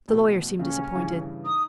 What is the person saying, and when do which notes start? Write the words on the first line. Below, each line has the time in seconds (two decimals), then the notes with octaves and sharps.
The lawyer seemed disappointed.
0.08 A1 B2
0.59 D#1 C#3 C#4
0.95 G2 C#3 E3
1.45 D#4 D#6